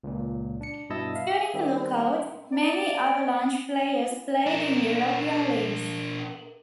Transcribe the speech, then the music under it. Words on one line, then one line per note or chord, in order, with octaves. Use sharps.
During the lockout, many Avalanche players played in European leagues.
C#2 A#2
D4 C#7
G2 B2 E4 D#5 A5 E6
E5 F5
D#3 G3 C4
D5
D4 A#4